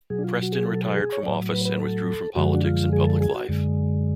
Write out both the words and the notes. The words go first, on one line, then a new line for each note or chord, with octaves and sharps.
Preston retired from office and withdrew from politics and public life.
B2 F#3 G#4
D4
F4
F#4
G#4
A4
A4
G#4
C#5
A2 F#3 D5
B4
B4
A4
F#2 D3 F3 G#3 F#4
D4
F4
G#4
A4
G#4
F#4
F#2 D3 G#3